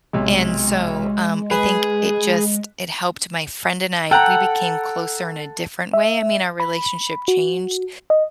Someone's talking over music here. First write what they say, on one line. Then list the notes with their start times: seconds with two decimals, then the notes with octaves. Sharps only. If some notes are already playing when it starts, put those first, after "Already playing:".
and so, um, I think it just it helped my friend and I, we became closer in a different way, I mean, our relationship changed.
0.13 B1 C3 G#3
1.51 G#4 B4
4.11 A4 F#5 G5 A#5
5.94 E5
6.60 B5
7.28 F#4
8.10 D#5